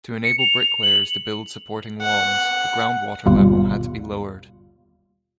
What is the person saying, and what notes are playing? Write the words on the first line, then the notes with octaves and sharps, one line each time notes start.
To enable bricklayers to build supporting walls, the groundwater level had to be lowered.
C#7
F7
F#7
F#5
G1 D#2 B2 G3 F4